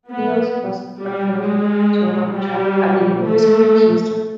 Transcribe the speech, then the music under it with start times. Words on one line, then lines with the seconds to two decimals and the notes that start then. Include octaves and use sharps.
Fields was recruited to run track at the University of Houston.
0.09 B3
0.98 G3
1.43 G#3
2.32 G3
3.21 A3